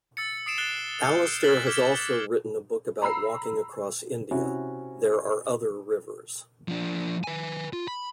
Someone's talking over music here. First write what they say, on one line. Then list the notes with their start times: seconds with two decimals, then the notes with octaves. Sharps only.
Alastair has also written a book about walking across India: "There Are Other Rivers".
0.17 E6 A6 C#7
0.46 D#6 C7 D7 E7
0.58 F#6 A6 C7 G7
1.03 F6 G6 C#7
1.43 F#6 A6 B6 F#7 G7
1.67 D6 F6 G#6 B6
3.02 A#5 B5 E6 C7
4.31 C3 C#4 E4 F#4
6.68 F3 D4
7.24 B4 G#5
7.73 F4
7.88 B5